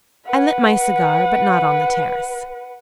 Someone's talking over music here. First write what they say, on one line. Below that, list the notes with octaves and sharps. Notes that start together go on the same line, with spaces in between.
I lit my cigar, but not on the terrace.
B4 F#5